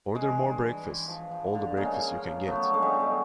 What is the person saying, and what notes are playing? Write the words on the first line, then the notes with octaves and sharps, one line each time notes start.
Order more breakfast, all the breakfast you can get.
E3 G#3
G2
E3
E3
F3
F3
D3
C#3 G#3 A#3
C#3
F3
F#3 A3 B3
D3 G#3
G3 A3
F#3
G#3